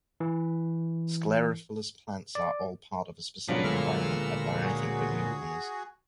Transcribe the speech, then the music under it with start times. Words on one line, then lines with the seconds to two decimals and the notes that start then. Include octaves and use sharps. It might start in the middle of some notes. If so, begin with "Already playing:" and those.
Sclerophyllous plants are all part of a specific environment and are anything but newcomers.
0.20 E3
2.35 D5
3.48 A#2 C#3 F3 F#3 B3 C#4 D4
3.64 D2 D3 G#3 E6 F6
4.63 F#4 G#4